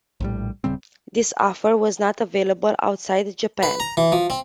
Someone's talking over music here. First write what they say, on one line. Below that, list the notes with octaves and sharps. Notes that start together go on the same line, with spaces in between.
This offer was not available outside Japan.
A#1 A2 G3
D#1 C#3 G3 C4
B4
A#5
E3
F3
C4